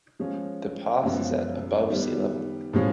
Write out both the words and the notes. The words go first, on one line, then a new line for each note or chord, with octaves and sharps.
The pass is at above sea level.
F3 G#3 C#4
F#2 C#3 F3 G#3 B3
D#3 G3 B3
A2 F3 G#3 C#4